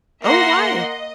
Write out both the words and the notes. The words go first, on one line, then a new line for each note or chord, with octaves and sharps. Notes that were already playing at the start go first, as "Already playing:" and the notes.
Oh, why?
A#3 E5 F#5 C6 A#6
D#5